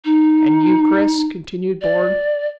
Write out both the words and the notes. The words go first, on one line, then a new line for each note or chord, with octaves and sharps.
"And you, Chris?" continued Bourne.
D#4
D5